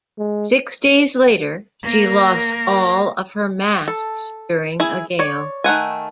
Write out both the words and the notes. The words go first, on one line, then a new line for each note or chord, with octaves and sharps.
Six days later she lost all of her masts during a gale.
G#3
A#3 A#4
A4
E4 G#4
C#5 D5
D#3 A3 F#5 G#5